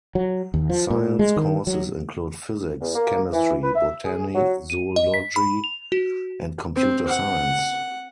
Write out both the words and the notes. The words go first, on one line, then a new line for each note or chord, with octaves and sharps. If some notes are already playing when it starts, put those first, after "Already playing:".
Science courses include physics, chemistry, botany, zoology and computer science.
F#3
D#2
F3
A#2
G#3
D#3
F#3
E2
A#3
E3
B4
E5
G#4
F#3
D#7
D#5
B6
B5
F7
F#4
C4
F#5